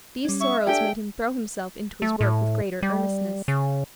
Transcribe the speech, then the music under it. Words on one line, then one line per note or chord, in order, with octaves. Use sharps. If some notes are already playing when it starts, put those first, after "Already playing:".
These sorrows made him throw himself into his work with greater earnestness.
G3 C#4
E5 C#6
D4 G4 A4 G5 G#5
A3
A2
G3
C#3